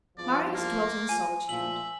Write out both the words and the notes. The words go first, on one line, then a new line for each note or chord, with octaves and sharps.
Marius dwelt in solitude.
E2 G2 F3 D5
A#3
F3 G#5
A#2 F3 E5 F#7